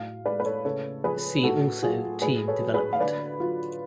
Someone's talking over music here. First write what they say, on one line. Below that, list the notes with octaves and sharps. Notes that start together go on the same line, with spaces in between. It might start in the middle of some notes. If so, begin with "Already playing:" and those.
See also Team development.
Already playing: A2 F#3 F5
G#3 B4 D5
B4
A4 C#5
C#3 A4 C#5
F3 G#4 B4
A2 F#4 A4
F#3 F4 G#4
A2 G#4 B4
A4 C#5
F#3
G#4 B4
F5
D3 B4 D5
F#3 F4